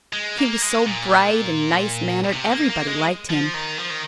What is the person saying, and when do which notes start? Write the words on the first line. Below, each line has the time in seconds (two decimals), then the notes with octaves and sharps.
He was so bright and nice-mannered everybody liked him.
0.13 G#3
0.38 A#3
0.62 G#3
0.87 A#2
2.33 C3
2.50 A#3
2.70 A#3
2.87 G#3
3.30 F3
3.54 D#3
3.79 F3
3.90 D#3